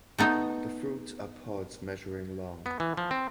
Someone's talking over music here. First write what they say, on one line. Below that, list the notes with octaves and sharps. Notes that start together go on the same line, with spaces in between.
The fruits are pods measuring long.
A3 B3 D#4
B3
E3
F3
C4